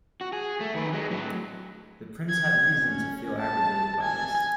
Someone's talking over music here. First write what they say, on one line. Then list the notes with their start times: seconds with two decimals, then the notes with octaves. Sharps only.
The Prince had reason to feel aggrieved by this.
0.21 F#4
0.33 G#4
0.60 A3
0.75 D#3 B4
0.93 F#3 G#3
1.10 A2 F#3
2.29 G#6
2.81 C#4
3.40 A5
4.02 G#5 G#6